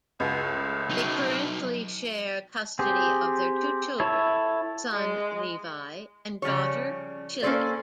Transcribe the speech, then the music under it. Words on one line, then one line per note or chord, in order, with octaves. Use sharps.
They currently share custody of their two children: son, Levi, and daughter, Chilli.
C#2 B2
A2
F#3 D#4
C4 G4 G#4
E4 A4 C#5
G#3
C#3 F3 G3 C#5
A#3 C#4 G#4 A4 C5 D5